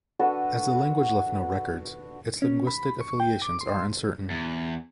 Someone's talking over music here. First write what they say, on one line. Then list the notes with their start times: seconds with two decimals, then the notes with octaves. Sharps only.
As the language left no records, its linguistic affiliations are uncertain.
0.19 D4 F#4 A4 B4
2.42 C#4
2.67 B5
3.01 C#6
3.20 G5
3.42 D6
3.61 C6
4.31 E2